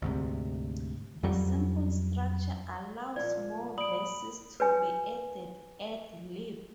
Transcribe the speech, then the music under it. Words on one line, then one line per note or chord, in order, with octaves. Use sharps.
The simple structure allows more verses to be added ad lib.
D2 G#2 C3
F2 F#3 G3
A#2 F3 D5 G#6
D5 B5 D#6 D7 F#7
B4 C#5 G#5